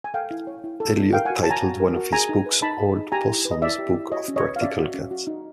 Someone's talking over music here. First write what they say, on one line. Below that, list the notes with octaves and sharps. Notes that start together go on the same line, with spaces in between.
Eliot titled one of his books "Old Possum's Book of Practical Cats".
G#5
A4 F5 G5
E4
C#5
E4
A4
E4
A#4 F5 G5
F#4 F#5 G#5
A5
C#5 G#5 A#5
F#4
A#4
F#4
G#4 G#5 A#5
D#4
B4
D#4 A5 B5
G#4
D#4
G4 G#5 A#5
E4
B4
D#5
E4 D5 E5
G4
E4
F#4 C#5 D#5
C#4
C#5 D#5
B4
F5
C#4 D5 E5
F#4
C#4
F#4
D#4